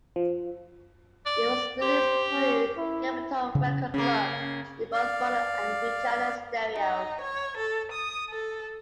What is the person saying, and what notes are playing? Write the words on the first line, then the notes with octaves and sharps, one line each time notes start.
It was released through the Capitol Record Club in both mono and rechanneled stereo.
F3
D5
G4 C5
C#4
E4
C#3
C#3 A#3 C#4
D5 F5
D#4
C#5
A4
D#6
A4